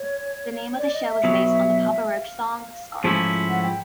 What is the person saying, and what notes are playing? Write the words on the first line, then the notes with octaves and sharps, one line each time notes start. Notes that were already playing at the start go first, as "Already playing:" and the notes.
The name of the show was based on the Papa Roach song "Scars".
Already playing: C#5
D5
D#5
E5
B1 B2 F#3
F5
G#2 F3 A3 C#4 E4
F#5
G5